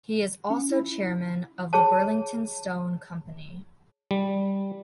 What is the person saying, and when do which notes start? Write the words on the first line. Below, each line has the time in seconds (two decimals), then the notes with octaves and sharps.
He is also chairman of the Burlington Stone Company.
0.50 C#4
0.69 E4
1.73 G#4 C#5 A5
4.11 G3